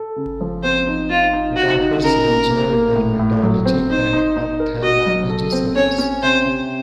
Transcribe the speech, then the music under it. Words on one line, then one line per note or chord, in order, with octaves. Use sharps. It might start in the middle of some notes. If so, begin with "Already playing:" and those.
It offers regional dermatology and ophthalmology service.
Already playing: A4
C#3
F3
C4 C5
D#4
D#4 F4
D#4
D#4 F#4
D#4
C#3 A#4
A#3
A#3
A#3
A2
A2
F#3
C4
D#4 C5
D#4
D#4
A#4
F#4 D#5
F#3
A4
C4
C#4 C#5
C#4
C3 C5
C3